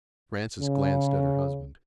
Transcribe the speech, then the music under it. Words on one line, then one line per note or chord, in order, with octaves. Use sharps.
Francis glanced at her husband.
C#3